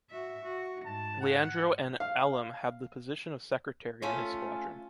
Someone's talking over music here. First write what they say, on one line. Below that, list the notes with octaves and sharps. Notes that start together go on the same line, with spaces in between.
Leandro N. Alem had the position of secretary in his squadron.
F#4 E5
F#4
G#2 A5
F#5
F5
A3 C#4 F4